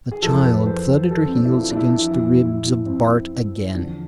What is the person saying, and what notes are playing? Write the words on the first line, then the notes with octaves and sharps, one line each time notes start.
The child thudded her heels against the ribs of Bart again.
G#4
F2 E3 A4
B4
C5
A4
C4
D4
E4
F4
D4
E4
F2 E3 E4
E4
E4
C4
E2 D3 F3 D4